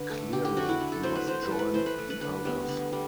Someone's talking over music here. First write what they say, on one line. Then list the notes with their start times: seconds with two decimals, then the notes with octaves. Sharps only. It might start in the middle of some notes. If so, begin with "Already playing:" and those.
Clearly he must join the others.
Already playing: D3 B4
0.10 A3
0.33 D3 G4
0.45 G4
0.57 F#3 A3 F#4
0.69 E4
0.80 D3
0.92 A4
1.03 F#3 A3 C5
1.15 B4
1.27 E3 C5
1.43 B4
1.51 A3
1.59 B4
1.74 E3 C5
1.86 B4
1.98 A3
2.10 B4
2.21 D3 B4
2.45 G3 B3
2.68 D3
2.92 G3